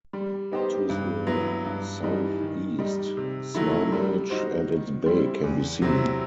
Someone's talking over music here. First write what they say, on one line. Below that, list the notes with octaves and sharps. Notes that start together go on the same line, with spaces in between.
To the south-east Swanage and its Bay can be seen.
G3
B3 D#4 G4 C5
G2
F#3 B3 E4
G2
E3 G3 D#4
D#3
G3 D#4
C3
D#3 F#3 A3 E4
G3
D#4 F#4 C5
D#3
G3 C4 E4
E2
C3 F#3 C4 E4